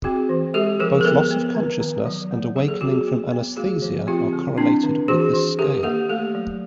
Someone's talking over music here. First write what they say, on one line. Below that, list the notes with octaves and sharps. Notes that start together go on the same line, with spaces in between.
Both loss of consciousness and awakening from anesthesia are correlated with this scale.
C4 F#4 G#4
E3
G#3 G4 A4
F3 G#4 A#4
A#4
B3 A4 B4
B3
D#3
D#3
F#3
A#3
F#3 G#4
A4
B3 F#4 G#4
B3
B3
A3 F#4 G#4
F3
C4 F4 G4
D3
C4 D4 E4
D#3
E3 F#4 G#4
E3
D#3 G4 A4
A#3 G4 A4
A3 G4 A4
F#3